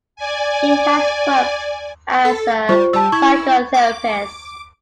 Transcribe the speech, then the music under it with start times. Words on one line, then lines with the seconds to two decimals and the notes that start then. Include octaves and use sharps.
He has worked as a psychotherapist.
0.16 D5 G#5
2.25 A4
2.69 G3 F4 C5 C#6
2.93 G3 A5 E6
3.12 E4 C#6 G#6
3.74 D6